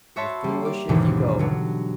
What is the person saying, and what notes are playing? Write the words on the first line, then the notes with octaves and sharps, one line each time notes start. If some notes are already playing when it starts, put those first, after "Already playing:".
You're foolish if you go!
F#4 C#5 E5 A5 B5 C6
G3 A#3
D5
G#1 D#2 B2 D3 E3 F#3
D3 F#3 G3